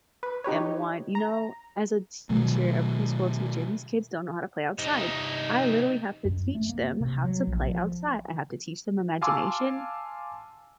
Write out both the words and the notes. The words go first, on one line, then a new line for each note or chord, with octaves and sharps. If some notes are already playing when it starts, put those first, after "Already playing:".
am one you know, as a teacher, a preschool teacher, these kids don't know how to play outside. I literally have to teach them how to play outside. I have to teach them imagination.
B4
D#4 G4 B4 C#5
A#5
B2 D#3 F#3 A3
C3 D#4
F#2
A3
A#3
C3
F#3
A#1
F3
F5 G#5 A5 C6 D6 E6